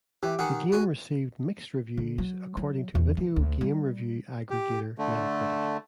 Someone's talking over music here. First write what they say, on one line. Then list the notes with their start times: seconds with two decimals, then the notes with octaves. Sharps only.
The game received "mixed" reviews according to video game review aggregator Metacritic.
0.23 E3 G4
0.39 D#3 G#4 F#5
0.72 F#4 G#5
1.97 D3
2.18 F#3
2.57 F#3
2.95 E2
3.17 E3
3.36 D2
3.61 G3
4.50 G4
4.98 D3 A3